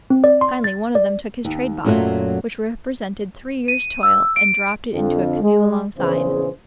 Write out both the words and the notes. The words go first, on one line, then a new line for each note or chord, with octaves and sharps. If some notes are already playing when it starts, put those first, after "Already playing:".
Finally, one of them took his trade-box, which represented three years’ toil, and dropped it into a canoe alongside.
C4
D5
C6
A6
D5
D#2
F#2 A#2 F#3 A3 F4
D#7
E6
D7
F2 D3
G#3
A#1 E2 C#3 E3 G#4 C5